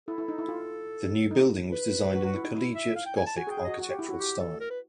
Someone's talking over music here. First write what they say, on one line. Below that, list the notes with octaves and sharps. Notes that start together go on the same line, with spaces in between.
The new building was designed in the Collegiate Gothic architectural style.
E4 A4
E4
D#4
E4
F4
D#4
B4
F#4
F#4
E4
D#4
E4
E5
F5
G5
G#5
A5
F#4 G#5
G#4
G5
G#4
F#4 D#5
F#4
G4
E4
F#4
G4
A4
A#4
B4